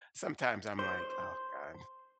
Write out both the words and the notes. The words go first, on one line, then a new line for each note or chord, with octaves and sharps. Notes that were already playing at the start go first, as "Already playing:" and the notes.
sometimes I'm like, "Oh, God."
C5